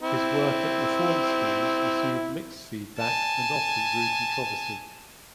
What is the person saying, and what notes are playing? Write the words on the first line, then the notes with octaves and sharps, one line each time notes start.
His work at reform schools received mixed feedback and often drew controversy.
C4 E4
G#5 A5